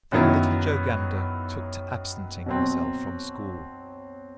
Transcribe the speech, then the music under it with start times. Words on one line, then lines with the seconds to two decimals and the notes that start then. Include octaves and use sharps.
Then little Joe Gander took to absenting himself from school.
0.12 F#2 D#3 F#3 B3 E4
2.46 B2 F#3 C4